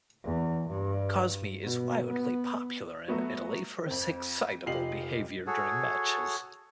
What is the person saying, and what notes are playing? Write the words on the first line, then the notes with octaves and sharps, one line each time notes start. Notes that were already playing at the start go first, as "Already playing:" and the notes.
Cosmi is widely popular in Italy for his excitable behaviour during matches.
E2
G2
B2
B3
F#3 A3 B3 F#4
F2 C4
F1 F4 G4 D#5 C7 F#7
F#4 G#4 A4 C#5